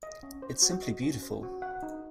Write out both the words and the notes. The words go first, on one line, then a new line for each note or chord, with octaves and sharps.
It’s simply beautiful.
D#5
C#4
C5
F#4
D#5
C#4
C5
F#4
F#5
D#4